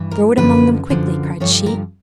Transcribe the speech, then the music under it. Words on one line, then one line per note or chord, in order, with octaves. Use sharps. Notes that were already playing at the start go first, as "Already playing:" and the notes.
"Throw it among them quickly!" cried she.
Already playing: G2 E3
A#4
F#2 D3 F3 B4
F#2 D3 F3
G2 D3 F3 C#5
A#4